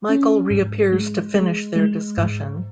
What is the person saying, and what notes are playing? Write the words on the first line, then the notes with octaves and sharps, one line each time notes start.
Michael reappears to finish their discussion.
C#4
G#2
G#3
G#3
G#3
G#2